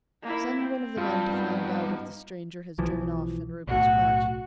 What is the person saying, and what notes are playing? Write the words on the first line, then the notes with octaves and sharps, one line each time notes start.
"Send one of the men to find out if the stranger has driven off in Reuben's cart."
A#3 E4
C4
G2 F3 F4
B3 D#4
B1 E3 F3
B1 A2 F#4